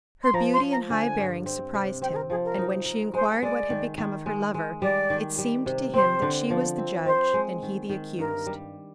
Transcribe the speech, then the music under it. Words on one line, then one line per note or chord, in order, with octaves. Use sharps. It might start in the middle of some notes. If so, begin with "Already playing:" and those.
Her beauty and high bearing surprised him, and when she inquired what had become of her lover, it seemed to him that she was the judge, and he the accused.
C6
F3 A#5
C6
F3
A#5
D3 G#5
G2
C4
C3
C4 G5
G#4
A#4
F3 G#4
A#4
D#4
A#4
G#3 C5
G#3 D5
D#3
D#3
G#3
G#3
G3 D5
D#3
G3
C3
C4 C5
D3
F3
C4
C4 C5
G#3
D#3
D#3
G2 A#4
G3